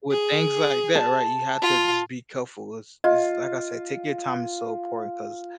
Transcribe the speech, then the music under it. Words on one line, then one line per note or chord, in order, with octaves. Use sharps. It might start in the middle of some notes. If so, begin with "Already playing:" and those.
with things like that, right, you have to just be careful. It's it's like I said, taking your time is so important 'cause
G#4
A5
F4
F4 D#5